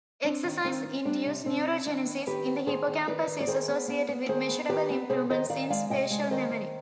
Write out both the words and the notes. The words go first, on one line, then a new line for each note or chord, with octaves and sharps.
Exercise-induced neurogenesis in the hippocampus is associated with measurable improvements in spatial memory.
C4 D4
D#3
D#3 C4 D#4
C4
G3 D4
C3
C3 C4
C4
D#3 D4
B3
D#3 G4 B4
B3
D#3 G#4 C5
D#3
D#3 B4 D5
D#3
D5
D#3 G#4 C5
B3
B3
B3
D#3 G#4 C5
B3
D#3 G4 B4
B3
C3 G#4 C5
D#3 C5 D#5
D#3 D5 F5
G#3 D5 F5
C3 D#5 G5
G#3
D#3 C5 D#5
D#3